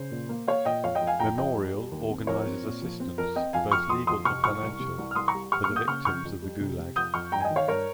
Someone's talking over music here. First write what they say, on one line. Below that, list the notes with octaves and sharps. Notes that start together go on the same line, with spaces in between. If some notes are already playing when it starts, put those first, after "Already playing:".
Memorial organizes assistance, both legal and financial, for the victims of the Gulag.
Already playing: C#3 C5
A#2
A#3
A#3 C#5 F5
A#2 D#5 G5
F2 C#5 F5
D#5 G5
F2
F5 G#5
F2 G5 A#5
F2 D#5 G5
G3
G3
D#2
C4
F3 A#4 C#5
C4
A#2
F3
C4
F2 A#4
C4 D#5 G5
F2 F5 G#5
F2 C#6 F6
F2 C6 D#6
F2 C6 D#6
C3 C#6 F6
C2 C#6 F6
C2
C3
C2
F6
C2 C6 D#6
A#5 C#6
G3
G3 C#6 F6
C#6 F6
A#3
D#6 G6
C#3 C#6 F6
F2 C#6 F6
F2
G3
C3
C3
F2 D#6 G6
F2 C#6 F6
G2 G5 A#5
G#5
D#5 G5
D#3
C#5 F5
G2 A#4 C#5